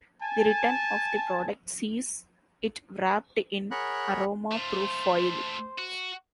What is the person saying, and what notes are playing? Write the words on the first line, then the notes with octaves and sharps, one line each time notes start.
The return of the product sees it wrapped in aroma proof foil.
G#5 A5
G#4 A#4 C#5 F#5 B5 F#6
A3 F4 C5
F#4